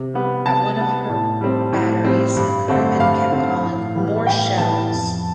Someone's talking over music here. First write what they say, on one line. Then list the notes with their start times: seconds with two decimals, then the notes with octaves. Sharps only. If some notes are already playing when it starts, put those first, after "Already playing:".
At one of her batteries, a crewman kept calling More shells!
Already playing: C3
0.14 G3 B3
0.45 C3 A5
0.77 G3 B3
1.09 A2
1.41 G3 C4
1.72 A2
2.04 G3 C4
2.37 G2
2.68 D3 A3 C4
3.00 G2 F5
3.31 D3 A3 C4
3.63 A2
3.95 E3 G3 B3
4.27 A2 G5
4.58 E3 G3 B3 A5
4.90 F2